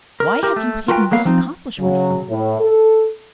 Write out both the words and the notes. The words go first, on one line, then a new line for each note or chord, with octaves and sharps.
Why have you hidden this accomplishment from me?
A#4
G4 A#4
A3
F4 F#4 A#4 B4 E5 G5
F#3 A#3 B3 F5
F3 C4 D#4
C#3 F#3
A2
A4